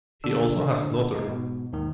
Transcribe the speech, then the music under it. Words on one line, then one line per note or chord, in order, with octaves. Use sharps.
He also has a daughter.
A#2 D3 D4 E6
G#3 D#4
G#2 B2
D#2 G#2 D#3